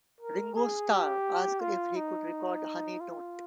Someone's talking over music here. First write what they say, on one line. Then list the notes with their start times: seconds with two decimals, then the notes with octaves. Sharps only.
Ringo Starr asked if he could record "Honey Don't".
0.21 A#4
0.55 G#4
0.91 G4
1.61 F4
1.97 D#4
3.01 F4